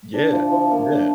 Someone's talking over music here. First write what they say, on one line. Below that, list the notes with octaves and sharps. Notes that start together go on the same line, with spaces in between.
Yeah, yeah
D4
F3
F3
A#3
D4